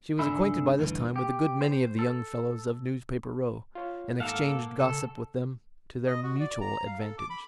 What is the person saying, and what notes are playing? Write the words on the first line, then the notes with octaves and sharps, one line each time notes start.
She was acquainted by this time with a good many of the young fellows of Newspaper Row; and exchanged gossip with them to their mutual advantage.
C#2 G#2 D3 G#4 E5 B5
D2 G2 E3
G4
C5
A4
F4 C#5
G#2 A#3 A4 A#4 F5 F#5
C#3 A4
D#5
F#4
D5
A#5
F5
A4
D6
B5